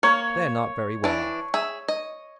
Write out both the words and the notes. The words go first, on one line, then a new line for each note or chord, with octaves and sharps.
They're not very well off.
A#3 C#5
E3 D4
G#4 E5
D#5